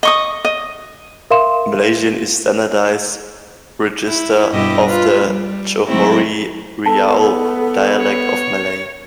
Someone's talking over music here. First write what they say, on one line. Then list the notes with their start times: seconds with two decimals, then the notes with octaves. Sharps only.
Malaysian is a standardised register of the Johore-Riau dialect of Malay.
0.03 D#5 C#6 D#6
0.45 D#5
1.31 A#4 E5 F5 C6 E7
4.04 E4
4.51 G2 B2 E4 G4 D#5
4.84 F4 B4
5.24 G3
5.87 D#3 F#3 G#3 A3 C4 E4
6.86 B3 A4 A5
8.00 C#5